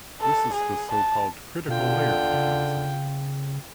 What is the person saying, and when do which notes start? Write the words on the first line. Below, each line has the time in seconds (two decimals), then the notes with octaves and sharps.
This is the so-called critical-layer mechanism.
0.21 A4
0.54 G#4
0.92 A5
1.68 B2 D3 F4 G5
2.33 C#3